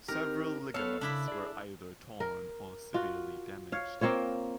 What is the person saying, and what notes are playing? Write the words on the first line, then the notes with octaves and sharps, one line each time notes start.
Several ligaments were either torn or severely damaged.
C4 D#4 G4 A#4
B3 A4 C#5 F5
C#3 D4 E4 B5
G#4 D5
A#4
F4 F#4
C#5 F5
A#3 C4 F4 C#5